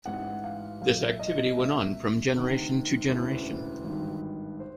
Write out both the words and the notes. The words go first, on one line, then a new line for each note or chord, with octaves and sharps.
This activity went on from generation to generation.
A1 G#2 E3 F#5
F5
B1 A#2 F5
E5
D#5
D#5
C#2 B2 E5
D2 C3 D#3
E1 D2 C#3 E3 B4
G#1 G2 D#3
C5